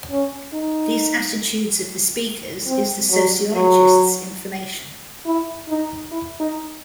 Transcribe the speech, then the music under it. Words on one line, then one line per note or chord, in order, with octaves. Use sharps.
These attitudes of the speakers is the sociologist's information.
C#4
D#4
C4
F#3
F#3
E4
D#4
E4
D#4